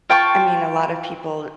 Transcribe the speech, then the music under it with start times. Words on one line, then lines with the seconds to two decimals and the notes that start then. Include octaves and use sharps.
I mean, a lot of people
0.10 F4 G5 A5 C#6